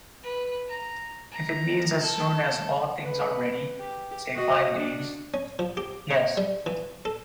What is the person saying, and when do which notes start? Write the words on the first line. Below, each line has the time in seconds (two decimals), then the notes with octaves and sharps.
If it means as soon as all things are ready, say five days, yes.
0.23 B4
0.68 A#5
1.32 A#5
2.02 A4
3.03 B4
3.80 G4
4.35 F#4 D#5
4.77 D4
5.34 C#4
5.59 F3
5.77 G4
6.11 C#3
6.37 G3
6.66 E3
7.05 A4